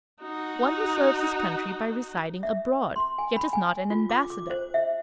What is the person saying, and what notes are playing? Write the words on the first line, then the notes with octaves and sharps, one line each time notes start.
One who serves his country by residing abroad, yet is not an ambassador.
D#4 F#4
E5
C6
G#5
B5
G#5
F4
D6
D6
C5
E5